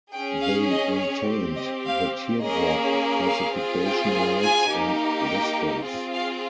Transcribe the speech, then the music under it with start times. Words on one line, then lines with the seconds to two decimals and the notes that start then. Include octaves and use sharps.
They retained the teardrop classification lights and whistles.
0.13 C#4 G#4 G5
0.41 F5
0.71 D#5
1.00 C#5
1.28 C4 G4
1.56 D#5
1.85 F5
2.42 A#3 C#4 G#4 D#5
3.27 F5
3.56 C4 F4 G#4
3.84 G5
4.13 G#5
4.41 G#5
4.70 A#3 D#4 G4
5.27 G5
5.84 C4 F4 G#4
6.13 F5